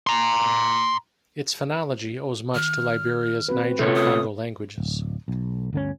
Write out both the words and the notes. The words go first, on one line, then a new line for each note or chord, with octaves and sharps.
Its phonology owes much to Liberia's Niger-Congo languages.
A#5 C6
D#3 F6
C4 F#4 B4
C3 A3 C#4 F4 A4 C#5
D#6
D1
B1
G1 D2 D3 C#4